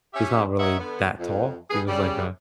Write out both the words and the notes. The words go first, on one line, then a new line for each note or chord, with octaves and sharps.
he's not really that tall. He was like a
C#4 G4 E5
F#3 A#4 C#5 D#5 E5 F#5
D3 B3
F2
G2 G3 B3 G#4
C#3 G3